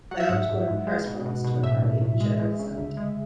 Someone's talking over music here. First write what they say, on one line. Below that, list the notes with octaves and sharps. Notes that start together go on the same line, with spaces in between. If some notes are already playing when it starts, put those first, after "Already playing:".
Layard was born in Paris, France, to a family of Huguenot descent.
F#3 F#5
E5
G#2 F#5
G#2
G#2
G#3
B2
B2
B2
A2 E5
A2
A2
G#3
G#3
C#3
D2
G#3